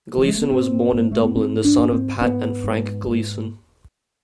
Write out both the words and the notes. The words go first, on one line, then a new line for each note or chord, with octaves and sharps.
Gleeson was born in Dublin, the son of Pat and Frank Gleeson.
F3
G#3
A3
B3
G#2 C4
G#2
A3
B3
G#2 C4
D4
G#2
C4
G#2 B3
G#2
G#2